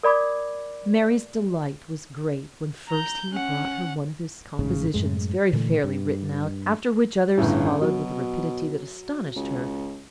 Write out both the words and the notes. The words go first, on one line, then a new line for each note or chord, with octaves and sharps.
Mary's delight was great when first he brought her one of his compositions very fairly written out--after which others followed with a rapidity that astonished her.
A#4 D5 B5 D6 G#6
A#5 G6
C#4 F#5
A1 G#2 C#3
F#2 A2 G#3
A#2 D3 E3 A3
G2
G1 A2 C#3
B2 F#3
C#2